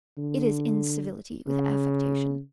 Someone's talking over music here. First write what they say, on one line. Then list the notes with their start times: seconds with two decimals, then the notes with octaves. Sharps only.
It is incivility with affectation.
0.18 D3
1.48 C#3